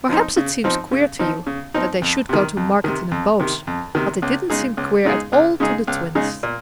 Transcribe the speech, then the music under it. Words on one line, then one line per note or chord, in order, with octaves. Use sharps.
Perhaps it seems queer to you that they should go to market in a boat, but it didn't seem queer at all to the Twins.
F3 C4 D#4
C#3
F3 C4 D#4
C#3
F3 C4 D#4
C#3
F3 C4 D#4
F2
C3 D#3
F2
C3 D#3
F2
C3 D#3
F2
C3 D#3
C#2
C#3 G#3 D#4 G#4
C#2
C#3 G#3 D#4 G#4
C#2
C#3 G#3 D#4 G#4
C#2
C#3 G#3 D#4 G#4
A#2